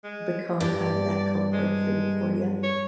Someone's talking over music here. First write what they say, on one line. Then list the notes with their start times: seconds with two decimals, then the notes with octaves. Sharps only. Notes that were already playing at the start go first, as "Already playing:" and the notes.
become kinda that comfort food for ya.
0.04 G#3
0.60 G2 D5
1.53 G#3
2.63 C#5